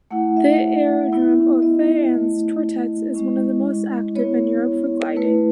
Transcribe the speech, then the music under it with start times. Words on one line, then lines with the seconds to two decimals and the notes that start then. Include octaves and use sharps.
The aerodrome of Fayence-Tourettes is one of the most active in Europe for Gliding.
0.11 A3 E4 F#5
0.37 E5
1.12 B3 E4
1.62 D#5
2.13 A3 E4
3.14 G#3 C#4 E4 D#5
4.15 B3 E4 C#5
5.16 A3 E4 B4